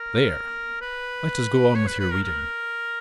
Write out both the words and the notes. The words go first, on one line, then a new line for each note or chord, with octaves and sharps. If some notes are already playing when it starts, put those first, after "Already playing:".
There! let us go on with your reading.
Already playing: A#4
B4
C#5
B4
B4
A#4
A#4